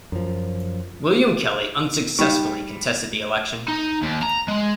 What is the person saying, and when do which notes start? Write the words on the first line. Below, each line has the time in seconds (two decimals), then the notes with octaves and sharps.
William Kelly unsuccessfully contested the election.
0.12 F#2 F3
2.19 G3 D#4
3.68 D#4
4.02 D#2
4.23 A#5
4.48 G#3